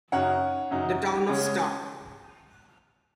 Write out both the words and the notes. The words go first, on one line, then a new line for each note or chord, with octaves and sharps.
The town of Sta.
F#2 C#3 F#3 D#4 C#5 F#5
F#2 C#3 F#3 D#4
C#3 G#3 C#4